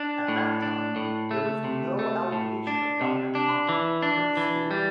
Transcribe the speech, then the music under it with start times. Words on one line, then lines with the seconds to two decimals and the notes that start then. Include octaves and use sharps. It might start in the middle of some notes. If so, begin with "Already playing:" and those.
At that time there was no allocation of government fund for the school.
Already playing: D4
0.28 A2
0.62 D4
0.96 A2
1.31 A3
1.64 C3
1.99 A3
2.32 A2
2.67 D4
3.01 C3
3.35 D4
3.69 E3
4.02 D4
4.37 E3
4.71 G3